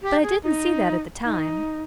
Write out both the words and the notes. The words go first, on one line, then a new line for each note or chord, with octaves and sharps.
But I didn't see that at the time.
G4
G#4
D#4
D#4